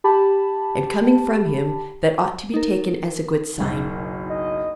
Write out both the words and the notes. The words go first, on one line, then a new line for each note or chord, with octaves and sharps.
And coming from him, that ought to be taken as a good sign.
G4 A5 B5
D#4 A#4
F#1 B1
D#5